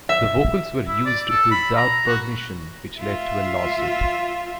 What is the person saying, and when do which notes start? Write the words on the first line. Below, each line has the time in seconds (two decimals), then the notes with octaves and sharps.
The vocals were used without permission which led to a lawsuit.
0.09 E5
0.87 E4
1.06 D5
1.29 A4
1.51 B5
1.76 A#5
2.07 F#4
3.00 F4 E5